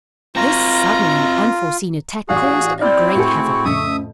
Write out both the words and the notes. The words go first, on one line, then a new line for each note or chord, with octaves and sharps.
This sudden and unforeseen attack caused a great havoc.
C4 F4 F#4 A#5
A1 F#4 G#4 D5 F5
C4 E4 D5 F6 G6
A2 F#4 G#4 C#6
F2 A2 C#3 E5 D#6